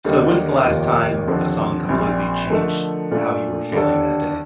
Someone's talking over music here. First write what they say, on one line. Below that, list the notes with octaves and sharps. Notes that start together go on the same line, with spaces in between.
So when's the last time a song completely changed how you were feeling that day?
D#2 D3 G3 A#3 D#4
F1 D#2 D#3 A#3 F4
D#2 D3 F3 C4
A#1 A#2 G3 C4
D3 F3 A3 D#4 A#4
A#2 A3 D4 F4
D#2 D3 G3 D4 A4